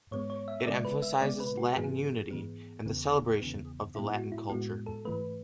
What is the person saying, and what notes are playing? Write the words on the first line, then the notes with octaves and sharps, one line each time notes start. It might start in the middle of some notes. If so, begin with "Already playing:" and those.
It emphasizes Latin unity and the celebration of the Latin culture.
G#2 G#3 B3 C#5
C#5
E5
E5
C#3 G#3 B3 D5
B4
E5
C#3 G#3 B3 D5
B4
F#4
G#2 E3 B3 G#4
G#2 E3 B3
E2 C#3 E3 B3
E2 C#3 E3 B3
A2 G#3 B3 E4
F#4
E4
A2 G#3 B3 F#4
A4
G#2 E3 A3 B4